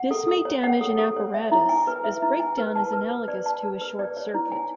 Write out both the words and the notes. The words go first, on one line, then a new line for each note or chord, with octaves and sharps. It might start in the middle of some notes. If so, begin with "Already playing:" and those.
This may damage an apparatus, as breakdown is analogous to a short circuit.
Already playing: F#5
A4
A4
C#5
F#5
A4
A4
C#5
E5
E4
G#5
B4
E5
E4
G#5
B4
A5
B4
B4
D5
A5
B4
B4
D5
C#5
E4
G#5